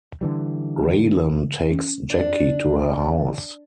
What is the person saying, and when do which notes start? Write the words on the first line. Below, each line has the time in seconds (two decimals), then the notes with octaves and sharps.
Raylan takes Jackie to her house.
0.21 D3 E3 G3
1.70 C#4
2.10 D4